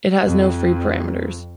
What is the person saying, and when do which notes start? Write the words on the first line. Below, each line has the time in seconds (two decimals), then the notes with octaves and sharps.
It has no free parameters.
0.25 F2